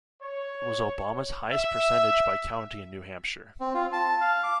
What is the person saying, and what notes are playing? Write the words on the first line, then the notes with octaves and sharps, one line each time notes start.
It was Obama's highest percentage by county in New Hampshire.
C#5
E5
C4
F4
A5
F5
D6